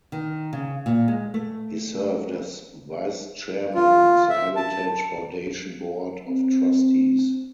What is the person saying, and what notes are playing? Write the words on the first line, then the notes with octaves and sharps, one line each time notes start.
He served as vice-chairman of the Heritage Foundation board of trustees.
D#3
C#3
A#2
G#3
A3
F4
E5
A5
C4